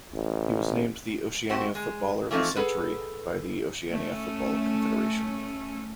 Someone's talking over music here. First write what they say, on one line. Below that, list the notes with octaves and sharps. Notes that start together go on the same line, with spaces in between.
He was named the Oceania Footballer of the Century by the Oceania Football Confederation.
A1
A3 C4 F#4 G4 C5
G#3
E3 F3 A3 C4 D#4
G#4 A4 B4 F#5
A3 C#4